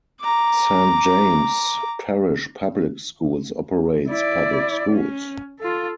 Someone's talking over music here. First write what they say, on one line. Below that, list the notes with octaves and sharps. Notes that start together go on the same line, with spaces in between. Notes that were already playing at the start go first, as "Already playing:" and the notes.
Saint James Parish Public Schools operates public schools.
A#5 D6
E4 D5
C#4
F4 A4